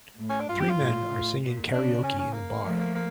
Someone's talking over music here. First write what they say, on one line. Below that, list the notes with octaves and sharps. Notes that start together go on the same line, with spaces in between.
Three men are singing karaoke in a bar.
A2
C#4
D4
G2 F4
G4
F4
A2
A2
A#2
C#3 D4
C#4
C#4
A#3
F3 A3 A#3
A#3
A#3